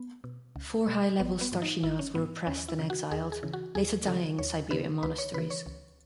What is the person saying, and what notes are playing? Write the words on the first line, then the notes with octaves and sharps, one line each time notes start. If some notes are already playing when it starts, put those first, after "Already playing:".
Four high level "starshynas" were repressed and exiled, later dying in Siberian monasteries.
Already playing: B3
B2
C#2
B2
G#1 B3
B3
G#2 E3
D#4
G#1 E4
C#4
G#2 E3 B3
D#2 C#4
E4
C#3 E3
F#4
D#2 G#4
G#4
C#3 E3
F#4
D#2 G#4
C#3 E3 A4
D#2 C#5
C#3 E3 B4
C#2 B4
C#5
C#3 E3 B4
C#5
C#2